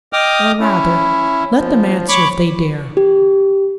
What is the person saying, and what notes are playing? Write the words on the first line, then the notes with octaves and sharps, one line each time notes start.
Or, rather, let them answer if they dare.
D#5 G5 D6 D#6 F6
C#4 E4
F3
C#5 B5 C#6 D6
G4